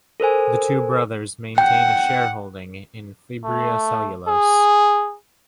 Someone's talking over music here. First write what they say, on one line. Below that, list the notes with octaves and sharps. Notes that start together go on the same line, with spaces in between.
The two brothers maintain a shareholding in Fibria Cellulose.
A4 A#4 C5 G#5
F#5 G5
A3
G#4